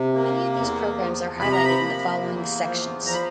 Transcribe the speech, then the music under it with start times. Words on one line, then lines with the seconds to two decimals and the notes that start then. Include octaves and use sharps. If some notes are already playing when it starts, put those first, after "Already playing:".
Many of these programs are highlighted in the following sections.
Already playing: C3
0.14 A#3
0.56 E2
0.98 F3
1.39 C3 B5
1.52 A#5
1.64 B5
1.81 A#3
2.23 E2
2.64 F3
3.06 F3 A#5
3.13 B5